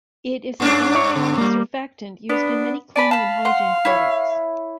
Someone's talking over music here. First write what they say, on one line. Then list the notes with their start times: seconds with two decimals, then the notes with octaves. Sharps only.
It is an anionic surfactant used in many cleaning and hygiene products.
0.60 G2 C#4 D4
0.95 C#5
1.16 D3
1.38 G3 A#3
2.29 B3 D4
2.96 D5 G#5 A5 B5
3.11 F5 A5 B5
3.45 F#5 C6
3.85 E4 C#5